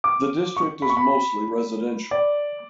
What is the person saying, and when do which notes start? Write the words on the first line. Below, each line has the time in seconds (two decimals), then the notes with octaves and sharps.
The district is mostly residential.
0.04 D6
0.56 C#6
0.82 B5
0.90 C#6
0.97 B5
2.11 D5